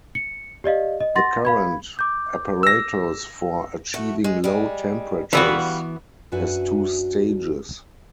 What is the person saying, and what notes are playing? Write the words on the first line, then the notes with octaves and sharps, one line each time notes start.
The current apparatus for achieving low temperatures has two stages.
C#7
G4 D5 D#5 F5
D#5
F#5 C6 A6 A#6
F5 B5 G#6
D6 G6
E6 A#6
A3 F#4
G#3
G3 G#3
E3 G3 B3 F4 F#4
F#2 D4 F#4 B4 E5 G#5